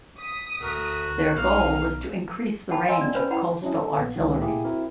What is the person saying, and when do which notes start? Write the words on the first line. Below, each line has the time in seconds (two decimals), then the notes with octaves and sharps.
Their goal was to increase the range of coastal artillery.
0.19 D#6 B6
0.60 D2 F#4 A#4
1.36 B1 D#4 F5
2.71 F#5 G5 A5 B5
2.88 D#5 F5 G#5 A#5 C6 E6
3.01 D5
3.14 C#4 B4 C5 B5
3.31 E4 C5 F#5 G5 A#5 B5
3.62 F#3 C#4 D4 E4 D#5
3.75 A4
3.95 A#1 A#3 B3
4.16 C#2 D#3
4.40 A#2 A#3 E4 G4 G#4
4.64 C4 E4 F#4 A#4